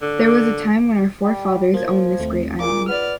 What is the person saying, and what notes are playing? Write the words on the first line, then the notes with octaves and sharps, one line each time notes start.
There was a time when our forefathers owned this great island.
D3
G3
F3 A#3 G#6
D#2 A3 C4
A#2 F4 G#4 D6
B3 D5 F6